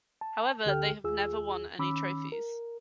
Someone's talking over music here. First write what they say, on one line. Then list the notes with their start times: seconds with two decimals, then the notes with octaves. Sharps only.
However, they have never won any trophies.
0.21 A5
0.65 D2 D3 G4 A4 G5 F6
1.04 D#2 F4 G#4 E6
1.79 D#3 C#4 B5 D6 E6
2.32 A#4